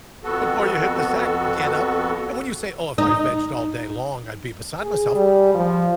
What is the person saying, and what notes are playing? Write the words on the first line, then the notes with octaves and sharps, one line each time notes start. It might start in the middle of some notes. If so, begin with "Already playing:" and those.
before you hit the sack to get up, and when you say, “Oh, if I vegged all day long, I'd be beside myself,”
F2 B3 F#4 A4
D#4
G#4
G3
F3